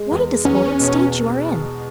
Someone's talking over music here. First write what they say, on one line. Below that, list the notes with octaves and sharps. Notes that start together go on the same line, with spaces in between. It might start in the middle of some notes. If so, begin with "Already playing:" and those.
What a disordered state you are in!
Already playing: G#3
E2
E2 C#4
B2